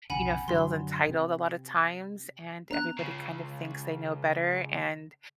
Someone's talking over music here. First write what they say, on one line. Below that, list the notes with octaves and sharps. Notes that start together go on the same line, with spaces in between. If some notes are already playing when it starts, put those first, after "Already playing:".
you know, feels entitled a lotta times, and everybody kind of thinks they know better, and
B1 F2 C#3 F#5 G#5 B5
F#2 D3 F#3 C6
C3 C4
B3 D4 A#5 F#6
C#2 C#3